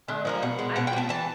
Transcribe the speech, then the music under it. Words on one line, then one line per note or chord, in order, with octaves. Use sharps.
Um, I think
D3
F3 A#3 D#4
B2 F#5
G#3 B3
B2 F#5
G5
G#3
B3 A5
E3 A5